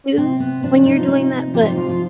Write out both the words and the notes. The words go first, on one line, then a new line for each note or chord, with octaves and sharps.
too, when you're doing that, but,
C3 C4
B3
F3 D4
D4
D#4
F4
C3 D#4
F3 G4
F4
D#4
F4
F4